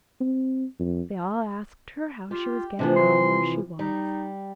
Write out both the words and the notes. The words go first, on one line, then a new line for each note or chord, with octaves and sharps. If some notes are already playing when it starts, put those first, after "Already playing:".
They all asked her how she was getting on where she was.
C4
F2
F4 G4
C3 E3 F3 D4
C6
G3 D#4